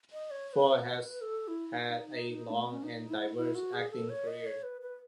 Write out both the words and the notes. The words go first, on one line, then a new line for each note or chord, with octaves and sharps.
Ford has had a long and diverse acting career.
D#5
C#5
C#5
B4
A4
E4
D#4
A3
B3
C#4
D#4
E4
E4
F#4
G#4
A4
C#5
D#5
C#5
B4
B4